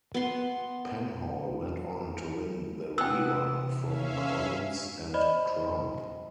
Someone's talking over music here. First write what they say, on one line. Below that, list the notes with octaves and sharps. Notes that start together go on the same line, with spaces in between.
Penhall went on to win the re-run from Collins and Crump.
B3 C6
C3 E3 B3 G5 E6
C#4 E5 F5
C5 D5 D#5 B5